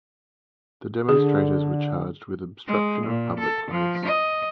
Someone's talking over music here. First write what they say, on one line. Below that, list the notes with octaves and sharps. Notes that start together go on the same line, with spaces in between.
The demonstrators were charged with obstruction of public place.
D3 G#4
G#3
A#2
A4
F3
D#5